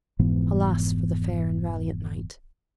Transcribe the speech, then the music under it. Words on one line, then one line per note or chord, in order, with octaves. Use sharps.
Alas, for the fair and valiant knight!
F1 G#2 E3 B3